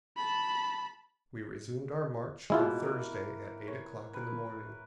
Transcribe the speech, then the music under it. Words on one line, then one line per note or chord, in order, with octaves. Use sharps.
We resumed our march on Thursday at eight o'clock in the morning.
A5 B5
B2 E3 G#3 A#3 E4 F4
A#4 B4
C#5
A#4 B4